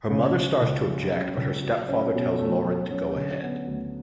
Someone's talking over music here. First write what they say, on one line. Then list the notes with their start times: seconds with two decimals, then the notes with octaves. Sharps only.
Her mother starts to object but her stepfather tells Lauren to go ahead.
0.10 C#3
0.36 C#2
0.62 C#2
0.86 F#3
1.12 C#3
1.37 C#2
1.63 F#3
1.89 C#4
2.14 B2
2.39 A3
2.64 F#3
2.91 C#4
3.16 D3
3.42 B3
3.67 D2